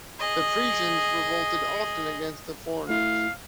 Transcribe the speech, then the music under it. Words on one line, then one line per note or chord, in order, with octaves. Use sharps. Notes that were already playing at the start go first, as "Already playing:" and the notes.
The Frisians revolted often against the foreigners.
G#4 D#5
A3 E4 F5